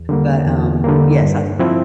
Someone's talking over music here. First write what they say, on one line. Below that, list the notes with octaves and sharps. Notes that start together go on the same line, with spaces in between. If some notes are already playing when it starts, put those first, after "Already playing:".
but, um, yes, I s
Already playing: E2
D3 G3 A#3
E2
D3 G3 A#3
G2
F3 C4 E4